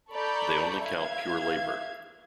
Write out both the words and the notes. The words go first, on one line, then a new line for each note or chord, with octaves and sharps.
They only count pure labour.
A4 D5 A#5 B5 C#6 G6
E5 F5 G#6